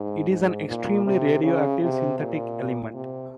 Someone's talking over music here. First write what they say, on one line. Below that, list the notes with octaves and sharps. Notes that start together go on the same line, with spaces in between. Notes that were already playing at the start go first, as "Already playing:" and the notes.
It is an extremely radioactive synthetic element.
Already playing: G#2
G#2
A#2
C3
C#3
C3
A#2
C3